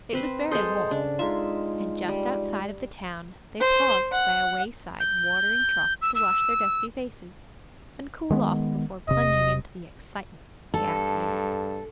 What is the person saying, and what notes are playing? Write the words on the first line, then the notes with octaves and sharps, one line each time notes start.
It was very warm; and just outside of the town they paused by a wayside watering-trough to wash their dusty faces, and cool off before plunging into the excitements of the afternoon.
C4 B4 C5
G#3 A4 C6 D#6 G6
C#3 D4
G#3 D#4 F4 E5
G3
C5
F#5
G6
E6
E6
D#3 G#3 B3
E1 C3 D#5
G2 A4